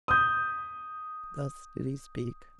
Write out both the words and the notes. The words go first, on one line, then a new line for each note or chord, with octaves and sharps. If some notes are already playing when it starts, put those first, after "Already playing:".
Thus did he speak.
D#6 G6